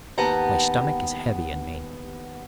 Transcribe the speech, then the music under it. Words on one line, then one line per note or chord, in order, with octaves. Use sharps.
My stomach is heavy in me.
D#2 B3 G4 F#5 A5 A#5